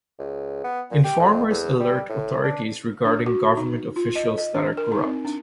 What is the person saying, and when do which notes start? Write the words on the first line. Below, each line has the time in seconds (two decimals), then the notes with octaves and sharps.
Informers alert authorities regarding government officials that are corrupt.
0.19 C#2
0.64 B3
0.91 A#2
1.04 G4
1.19 F2
1.50 E2
1.80 G3
2.09 A2
2.43 D4
3.05 D4
3.26 F#4
3.57 D#4
3.96 F4
4.16 D#5
4.38 D#5
4.55 D4
4.77 A#4
4.92 D#4
5.04 C4
5.25 D4